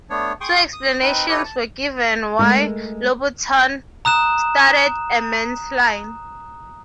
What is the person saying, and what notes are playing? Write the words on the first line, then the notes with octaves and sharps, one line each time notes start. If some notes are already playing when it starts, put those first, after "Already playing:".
Two explanations were given why Louboutin started a men's line.
A3 B3 D4 C#5
G#4 G5 C6 C#6 D#6
D#6
C4 D#4 B4
E4 G4 A4 B4 C#5
A5
G#3 A3 A#4
A#5 D#6 F#6 E7